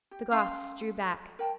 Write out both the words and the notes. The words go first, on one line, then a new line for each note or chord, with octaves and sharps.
The Goths drew back.
G4
C#4 F5 G5 C6
A#4 G5 A5